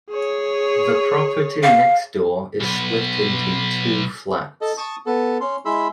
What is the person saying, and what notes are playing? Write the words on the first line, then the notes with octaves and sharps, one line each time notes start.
The property next door is split into two flats.
G#4 C#5
F5
B1 B3
A4 D#5
A5 C#6 D#6
B3 A4
C#4 C6
G#3 E4 G#4 B5 C6 E6